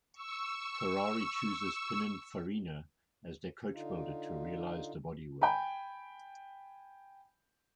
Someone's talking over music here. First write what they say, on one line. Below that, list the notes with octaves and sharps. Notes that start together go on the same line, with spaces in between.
Ferrari chose Pinin Farina as their coachbuilder to realise the bodywork.
C#6 E6
D3 D#4 F4
G5 G#5 B5